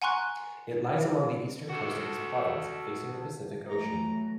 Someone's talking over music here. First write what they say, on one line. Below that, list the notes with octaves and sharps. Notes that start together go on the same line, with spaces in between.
It lies along the eastern coast of this province, facing the Pacific Ocean.
F#5 G#5 A#5 C6 C#6 F#6
F#4 A4
E3 F#3 A3 A#5